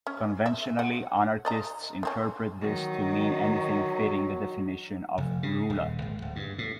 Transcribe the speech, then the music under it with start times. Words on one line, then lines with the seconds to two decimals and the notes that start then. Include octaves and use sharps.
Conventionally, anarchists interpret this to mean anything fitting the definition of "ruler".
0.07 C#4
0.46 E5
0.79 F#5
1.45 D5 D#5 A#5
2.03 D#3 C4 C#4
2.61 D#3 F#3
5.18 F1
5.43 C#3
5.70 D#1
6.02 G#1
6.22 D1
6.36 G2
6.58 A2